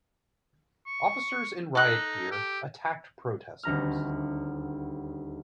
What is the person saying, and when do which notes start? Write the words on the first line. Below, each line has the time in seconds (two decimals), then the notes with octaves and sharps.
Officers in riot gear attacked protesters.
0.86 C#6
1.75 D#4 A4 F#6
2.31 G4
3.63 D#1 D2 A#5 F6